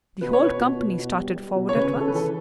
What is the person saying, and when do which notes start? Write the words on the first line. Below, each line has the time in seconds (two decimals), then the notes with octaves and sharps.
The whole company started forward at once.
0.21 B2 B4
0.33 C#5
0.41 B2 B4
0.60 B2
0.80 B2
0.99 B2
1.18 G3
1.36 G3
1.55 B2
1.69 C#5
1.75 C#3 B4
1.95 C#3
2.01 A4
2.08 B4
2.13 E3 A4